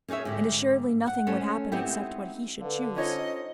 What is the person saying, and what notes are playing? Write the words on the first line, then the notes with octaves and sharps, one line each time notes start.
And assuredly nothing would happen except what he should choose.
C#4 D#4 G#4 C#5 E5
G#2 D3 G4
F#5
A3 C#4 A4 C5
G#3 B3 C4 D#4 E4 G4
D3 A4 B4 F5
C#4 D#4 F4 C5 C#5 D#5